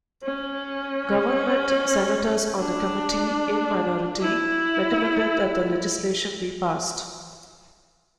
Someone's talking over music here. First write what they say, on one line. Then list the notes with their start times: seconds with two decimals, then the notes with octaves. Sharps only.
Government senators on the Committee, in minority, recommended that the legislation be passed.
0.23 C#4
2.60 D4
4.19 E4